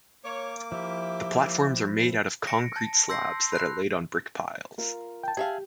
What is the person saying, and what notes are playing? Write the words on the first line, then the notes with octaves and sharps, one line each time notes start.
The platforms are made out of concrete slabs that are laid on brick piles.
A#3 C#5 D6
F3 E4 G4 E5
A#6 C#7 D7
A5
C6 E6 G6 A#6 C7
B5 F#6
F4 A#4 F5
G5 A5
G4 G#4 E5 F5